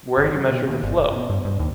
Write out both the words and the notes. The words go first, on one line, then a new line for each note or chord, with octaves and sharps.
Where you measure the flow.
G1
F#2
B2
D#2
G1
F1
B2
G2
G2
D#2